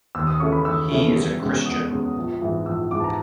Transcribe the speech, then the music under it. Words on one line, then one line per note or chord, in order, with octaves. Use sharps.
He is a Christian.
D#2 E6
D#6
C#3 E3 A3 C#4 C#6
B5
D#2 E6
C#3 E3 A3 C#4
E2
B2 G#3 C#4
E2 D#6
B2 G#3 C#4
A#1
G#2 E3
A#1 E6
G#2 E3 D6
A5
A#5